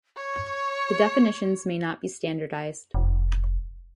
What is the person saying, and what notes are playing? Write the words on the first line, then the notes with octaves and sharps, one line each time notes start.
The definitions may not be standardized.
C#5 C#6
F1